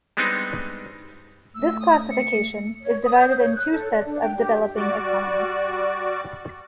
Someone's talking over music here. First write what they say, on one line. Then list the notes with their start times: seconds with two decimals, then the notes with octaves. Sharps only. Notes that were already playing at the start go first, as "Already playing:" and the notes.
This classification is divided in two set of developing economies.
0.17 G3 G#3 B3 C4 D4 D#4
1.55 A3 E6
1.80 D#6
2.11 C#7
2.81 C#5
3.04 D#6
3.17 G6
3.38 C#5
3.55 F#6
3.71 A4
3.91 D5
4.06 D4
4.21 G5
4.38 G4
4.75 G3 F#4 D5